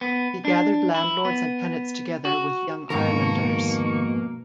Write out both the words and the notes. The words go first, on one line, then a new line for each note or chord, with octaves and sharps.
He gathered landlords and tenants together with Young Irelanders.
B3
D4
E4
B3
F#4
F2 G#2 B2 D#3 A#3 A#4 A5 C#6